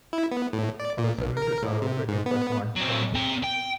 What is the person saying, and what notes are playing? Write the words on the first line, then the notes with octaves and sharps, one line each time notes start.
All services are operated by Swan Transit.
E4
B3
A2
D5
A#2
B1
A#4
A2
C3
G#2
B3
F#3 C4
C4 A#5
G5